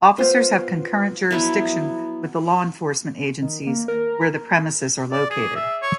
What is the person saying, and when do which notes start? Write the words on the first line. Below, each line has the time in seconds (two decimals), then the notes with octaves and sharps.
Officers have concurrent jurisdiction with the law enforcement agencies where the premises are located.
0.18 B3 F4 C5
1.31 F3 F#3 B3 E4
3.42 D#3
3.67 A#3
3.88 A#4
5.12 D5
5.30 G#4
5.55 E5
5.82 C#5